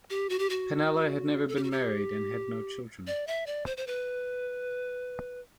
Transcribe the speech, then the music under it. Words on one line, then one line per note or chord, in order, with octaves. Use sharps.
Pannella had never been married and had no children.
G4
F#4
G4
F#4
A4
G4
F#4
G4
D5
E5
D5
C5
C5
B4